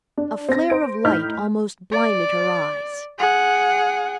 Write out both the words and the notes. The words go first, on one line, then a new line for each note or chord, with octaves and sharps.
A flare of light almost blinded her eyes.
D4
C4 A#6
C5 D7
A2 D#4 F6 G6 B6
D5
G#4 F#5